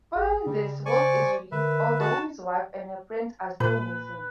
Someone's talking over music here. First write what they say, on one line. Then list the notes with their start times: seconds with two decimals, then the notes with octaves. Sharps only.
Following this, Wilt is released, although his wife and her friends are still missing.
0.15 G#1 G#4
0.46 C#3 G3
0.86 C5 D5 G#5 C#6
1.52 D3 A#4 B4 E5
2.00 F#4 A5
3.60 A#2 B4